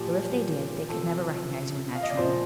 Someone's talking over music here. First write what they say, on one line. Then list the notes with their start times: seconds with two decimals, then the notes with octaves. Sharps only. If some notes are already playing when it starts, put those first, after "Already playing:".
Though if they did, they could never recognize you in that trim.
Already playing: A#2 F3 G4
0.89 C3 F3 A4
1.95 F5
2.03 D#5
2.10 D5
2.17 A#2 F3 C5